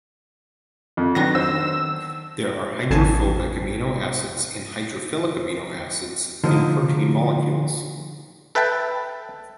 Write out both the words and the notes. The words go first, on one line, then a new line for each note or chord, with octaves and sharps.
There are hydrophobic amino acids and hydrophilic amino acids in protein molecules.
F2
D#3 F#3 B3 D4 A#6
C5 E6
A1 F2 D3 G#5 A5 C7
D3 F3 D#4
A4 B4 E5 G5 A5